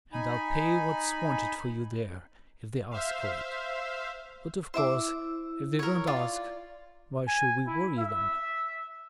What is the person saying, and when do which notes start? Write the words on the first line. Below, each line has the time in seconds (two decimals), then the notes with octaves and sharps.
And I'll pay what's wanted for you there, if they ask for it. But, of course, if they don't ask, why should we worry them?
0.13 D#4 G#5 B5
2.91 C5 E5 F5
4.74 E4 C5 E5 D6 E6
5.79 A#4 C#5
6.07 F4 D5
7.28 G#5
7.67 E4
7.98 E5